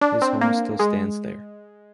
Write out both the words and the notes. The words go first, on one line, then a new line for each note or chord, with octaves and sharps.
His home still stands there.
D4
C4
A#3
G#3